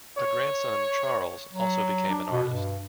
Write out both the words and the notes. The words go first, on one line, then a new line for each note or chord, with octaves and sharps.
A grandson, Charles, also became an artist.
C#5
F#3
D4
B2
G2